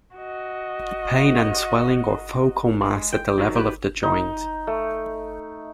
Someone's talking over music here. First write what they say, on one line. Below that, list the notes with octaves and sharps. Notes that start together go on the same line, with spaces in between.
Pain and swelling or focal mass at the level of the joint.
F#4 D#5
G#3
G5
D#3 F#3
G4 B4
D#4
A3